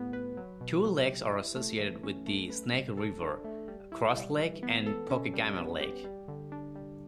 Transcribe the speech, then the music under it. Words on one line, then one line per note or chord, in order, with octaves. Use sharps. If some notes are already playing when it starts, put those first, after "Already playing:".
Two lakes are associated with the Snake River: Cross Lake and Pokegama Lake.
Already playing: A2 G3 B3
B4
F#3
B2
F#3
G4
E4
A3
E3
C#4
A3
B4
G3
A4
D4
A3
G3
E4
G3
E3
B3
A4
C#4
G3
B3
G4
G3
D3
D4
G3